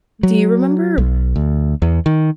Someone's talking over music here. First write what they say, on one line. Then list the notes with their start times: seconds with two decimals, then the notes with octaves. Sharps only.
Do you remember
0.23 F#3
0.98 B1
1.36 D2
1.82 E2
2.06 D#3